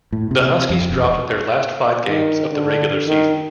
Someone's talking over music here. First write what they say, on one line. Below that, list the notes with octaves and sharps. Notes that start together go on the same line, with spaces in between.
The Huskies dropped their last five games of the regular season.
A2
C3
F2
E1
D#3
D3
D#3